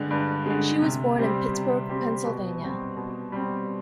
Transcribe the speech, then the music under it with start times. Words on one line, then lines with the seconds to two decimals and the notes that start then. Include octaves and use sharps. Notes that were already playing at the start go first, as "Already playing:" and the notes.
She was born in Pittsburgh, Pennsylvania.
Already playing: G2 D3 G#3
0.11 G2
0.46 D3 G#3
0.82 C3
1.18 G3 C4 G4
1.53 C3
1.89 G3 C4 G4
2.25 B2
2.61 G3 C4
2.97 B2
3.32 G3 C4